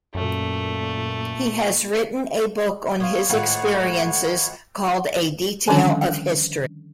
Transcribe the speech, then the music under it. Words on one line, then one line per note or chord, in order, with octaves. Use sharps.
He has written a book on his experiences called "A Detail of History".
F#2 A#2 A3
B3 C5 C#5 F5
G#1 A2 F4 F#5
D3 D#3 F3 G3 C#4 D4